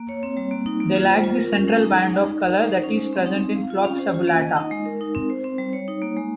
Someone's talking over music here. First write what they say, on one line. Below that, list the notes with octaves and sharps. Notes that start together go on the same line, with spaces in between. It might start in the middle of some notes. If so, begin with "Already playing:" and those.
They lack the central band of color that is present in Phlox subulata.
Already playing: A#3
C#5
C4
G3
A#3
D#4
A#3
F4
C5
F4
A#4
C#4
G#3
D#4
G#4
D#4
D#4
A#4
D#4
C5
C#4
G#3
C4
D#4
C4
F5
F4
C#4
C5
F4
A#3
D#5
D#4
G#3
A#4
D#4
C4
C5
C4
G3
C#5
D#4
A#3
G#3